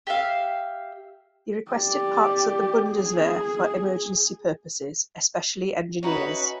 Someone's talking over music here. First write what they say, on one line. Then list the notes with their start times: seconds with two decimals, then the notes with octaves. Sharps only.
He requested parts of the Bundeswehr for emergency purposes, especially engineers.
0.07 G4 E5 F5
1.71 G4 D5
2.90 G#4
6.03 C#4 D#4 E4 F#4 B4